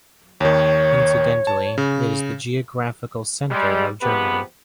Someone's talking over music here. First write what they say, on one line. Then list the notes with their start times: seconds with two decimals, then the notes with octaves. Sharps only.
Incidentally it is the geographical centre of Germany.
0.40 D#2 D#3 C#5
1.47 A5
1.78 C#3
3.51 G3 G#3
4.02 C3 F3 G#3 B3 G4 B4